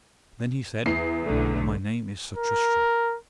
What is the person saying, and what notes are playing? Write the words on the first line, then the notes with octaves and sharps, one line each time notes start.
Then he said: My name is Sir Tristram.
E2 C7
B1 D3 A3
A#4